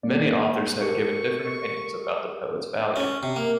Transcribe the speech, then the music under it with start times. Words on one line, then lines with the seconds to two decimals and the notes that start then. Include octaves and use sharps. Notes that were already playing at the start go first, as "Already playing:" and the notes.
Many authors have given different opinions about the poet's value.
0.03 G3 A#3 D5
0.81 G4 A4 A#4 C#6
2.96 C#4
3.23 C3
3.36 A#3